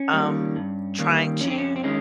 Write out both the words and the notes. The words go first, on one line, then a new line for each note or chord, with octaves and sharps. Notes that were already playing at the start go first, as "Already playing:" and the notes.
um, trying to
Already playing: C#4
D#3 G3 A#3
G2
D#3 G3 A#3
F2 C#4
C4
C#4
C4
D#3 G#3 C#4